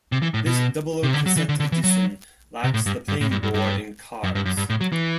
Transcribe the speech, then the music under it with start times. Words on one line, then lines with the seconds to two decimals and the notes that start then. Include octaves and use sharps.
This double cassette edition lacks the playing board and cards.
0.12 C3
0.22 E3
0.34 A2
0.46 B2
1.03 C3
1.14 D3
1.26 F#3
1.37 E3
1.49 D3
1.60 D3
1.72 E3
1.84 F#3
2.64 C3
2.74 A2
2.86 G2
3.08 G2
3.21 A2
3.31 G2
3.43 G2
3.54 G2
4.24 F#2
4.35 G2
4.46 F#2
4.57 G2
4.70 A2
4.81 F#3
4.92 E3